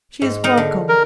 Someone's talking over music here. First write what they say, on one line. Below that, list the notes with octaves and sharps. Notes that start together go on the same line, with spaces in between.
"She is welcome."
G#2
D#4 A#4
D3
A#4